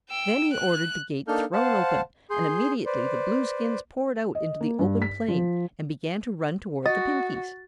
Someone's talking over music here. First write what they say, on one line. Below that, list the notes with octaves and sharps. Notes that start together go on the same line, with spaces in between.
Then he ordered the gate thrown open and immediately the Blueskins poured out into the open plain and began to run toward the Pinkies.
G5 E6
F#6
A#3 D4 D#4 A4 F6 G6
C5 F5 F#5 A5
G#4 C6 G6
B4 C5 D5
D#5
A#3
G2
B6
F3
F#4 D#5 A6